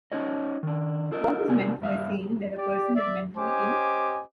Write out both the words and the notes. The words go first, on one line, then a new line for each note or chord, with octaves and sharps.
What was meant by saying that a person is mentally ill?
C#4 D#4 F#4 C#5 D#5
D#3 D4
F4 A4 A#4 D#5
C3 B3 D4 A#4 G#5
G2 E5 F5
G4 D5
D5 E5
C#4 G4 C5 D#5 G#5 D6